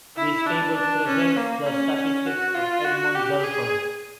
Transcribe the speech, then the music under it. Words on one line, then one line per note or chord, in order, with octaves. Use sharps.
This table presents the statistics of Edmond Delfour.
E4
D4
D4
C#4
A#3
C#4
C#4
F#4
F4
F#4
G4
G#4